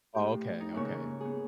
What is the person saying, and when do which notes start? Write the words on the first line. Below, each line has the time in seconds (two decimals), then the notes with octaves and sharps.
Oh, okay, okay.
0.15 A2 G4
0.60 D#4
0.75 G#2 C#3 A#3 C#5
1.21 B3 G#4